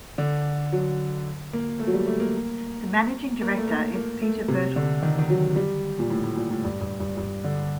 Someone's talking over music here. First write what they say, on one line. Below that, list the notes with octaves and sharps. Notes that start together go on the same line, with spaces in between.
The managing director is Peter Birtles.
D3
F#3
A#3
A3
F#3
G3
A3
A#3
A#3
A3
A#3
A#3
A3
C3
D3
D#3
D#3
F#3
G3
A#2
A2
A2
A#2
A2
G2
G2
G2
G2
D3